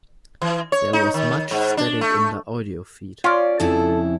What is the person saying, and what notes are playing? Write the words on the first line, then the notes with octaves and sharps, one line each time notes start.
There was much static in the audio feed.
E3
C#5
D#4
D#3
G#2
D4
A3
C#4 F4 D5
F2 C#3 E4 A4 A5